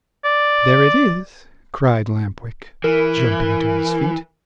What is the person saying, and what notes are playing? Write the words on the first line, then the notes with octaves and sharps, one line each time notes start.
"There it is!" cried Lamp-Wick, jumping to his feet.
D5
E3 A#4